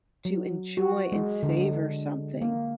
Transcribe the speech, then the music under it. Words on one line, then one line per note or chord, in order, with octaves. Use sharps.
to enjoy and savor something,
F#3
F#4
G#3
D3
A#3